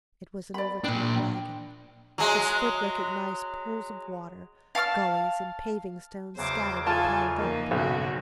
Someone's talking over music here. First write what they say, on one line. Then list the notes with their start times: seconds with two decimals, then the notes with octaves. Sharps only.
It was an overturned wagon; his foot recognized pools of water, gullies, and paving-stones scattered and piled up.
0.54 D5 B5
0.84 A#2 D4 G5
2.18 F#3 G#3
4.75 F5 A5 C#6 F6
6.37 E2 C#3 F#3 C5 D6
6.86 F4 A4 G#5 A5
7.36 F3 A#3 D#4
7.71 B1 G2 C#3 F#4